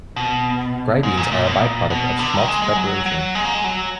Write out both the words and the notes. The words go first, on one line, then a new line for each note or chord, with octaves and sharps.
Gribenes are a byproduct of schmaltz preparation.
B2
G#2
A#2
A#2
B2
A#2
B2
D3
D#3
G#3
G#3
F#3
F#3
G#3
A#3
G#3
F#3